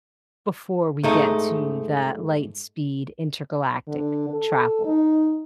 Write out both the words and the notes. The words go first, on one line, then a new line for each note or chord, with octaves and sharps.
before we get to that light speed intergalactic travel.
G#2 A3 D#4
D3
A4
D#4